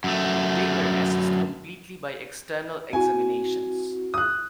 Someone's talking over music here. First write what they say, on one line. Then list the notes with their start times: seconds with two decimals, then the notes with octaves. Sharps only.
They were assessed completely by external examinations.
0.04 F#2 A3
2.93 C4 E4 F#4 G#5
4.14 D#6 F#6